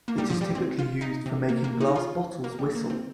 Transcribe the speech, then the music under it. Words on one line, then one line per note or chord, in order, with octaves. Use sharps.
It is typically used for making glass bottles whistle.
A#3
G3
F3
G3
C4
F4
D#4
C3
A#3
A#3
D#4
F4
A#3
G3
A#3
C4